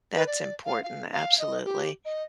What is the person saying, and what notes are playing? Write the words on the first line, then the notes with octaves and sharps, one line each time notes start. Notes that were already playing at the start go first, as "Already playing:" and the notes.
That's important, absolutely.
B4
D5
F5
F5
F5
D#5
G4
D#5